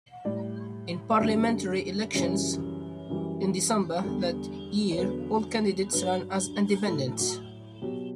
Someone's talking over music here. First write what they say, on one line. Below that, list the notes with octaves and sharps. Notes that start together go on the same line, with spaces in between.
In parliamentary elections in December that year all candidates ran as independents.
A2 G3 D5
D5
F#2 D3 G3 E5
F#2 C#3 E3 G3 C#5
F#2 E3 G3
E2 D3 G3
C#5
E2 D3 F#3 B4
G2 F#3 B4
A2 F#3 A4
F#4
B2 F#3 G4